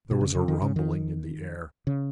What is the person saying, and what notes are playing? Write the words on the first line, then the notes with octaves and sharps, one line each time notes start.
There was a rumbling in the air.
B2
C#3
C#3
D#3
C#3
D#3
C#3